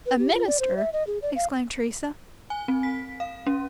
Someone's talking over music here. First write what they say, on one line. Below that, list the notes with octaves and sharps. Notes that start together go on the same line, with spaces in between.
"A minister!" exclaimed Teresa.
B4
G4
F4
D5
C5
E5
D#5
G#4
D5
F5
G#5
C4
B6
F5
C#4